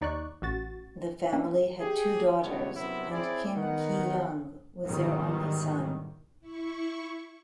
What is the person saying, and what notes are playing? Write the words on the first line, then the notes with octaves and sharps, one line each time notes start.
The family had two daughters, and Kim Ki-young was their only son.
D#2 D#4 D5 C#6 F#6
A1 F#4 A6
A#3 C#4 D4
G4 G#4
G#1 C#2 B2 G3 B3 C#5
F#2 C3 B3 C#4 E4
C4 E4 G#4 C#5 D5
D#3 B3 F#5
G#2 B2 D#3 E3 F#3 G3
E4 C#6